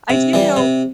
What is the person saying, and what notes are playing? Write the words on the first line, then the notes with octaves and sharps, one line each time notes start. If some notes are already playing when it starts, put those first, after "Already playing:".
I do know
C3
E3 G3
C3